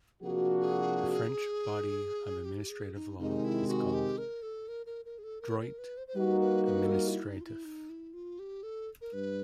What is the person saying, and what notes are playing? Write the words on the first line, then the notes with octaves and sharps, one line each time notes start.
The French body of administrative law is called "droit administratif".
C3 F3 A#3 D4 F#4 G#4
G#4
G4
G#4
D#4
C3 D#3 G#3 D#4
E4
F#4
G4
A#4
A4
A#4
A#4
A#4
G#4
A4
A#4
A#4
B4
C5
C5
G3 A#3 D#4 F#4 B4
B4
B4
A4
A#4
E4
D#4
F4
E4
D#4
E4
F4
G4
A4
A#4
G2 B4